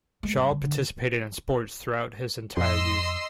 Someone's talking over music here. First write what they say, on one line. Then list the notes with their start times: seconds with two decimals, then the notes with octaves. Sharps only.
Shaw participated in sports throughout his entire youth.
0.23 G#3 A3
0.37 G2
0.51 D3
0.65 D3
2.57 F2 D#5 C6 E6